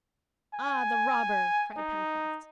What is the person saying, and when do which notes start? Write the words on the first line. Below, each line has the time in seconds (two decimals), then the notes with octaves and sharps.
"Ah, the robber!" cried Pencroft.
0.54 G#5
1.77 D#4